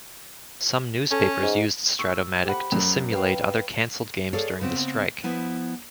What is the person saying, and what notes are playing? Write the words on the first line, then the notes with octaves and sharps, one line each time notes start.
Some newspapers used Strat-O-Matic to simulate other canceled games during the strike.
C#4 A4
G#2
C#6 E6
G4 C5 F#5 B5
F#2
B4 F5 G5
G#4 A4 C#5 D5 F5
C#3 B3 C4
F3 B3 E4